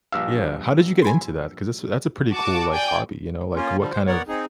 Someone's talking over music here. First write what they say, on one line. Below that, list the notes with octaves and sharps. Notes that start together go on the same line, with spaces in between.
Yeah, how did you get into that, 'cause this that's a pretty cool, like, hobby, you know like, what, kind of,
A#1 G2 F5 E6
G#5 B5 C6
F#4 A5 D6
D5 G5 G#5
A#3 C#4 F4
D3 F3 G3
C5
B3 A#4 C#5 D5 F#5
C4 D#4 G#4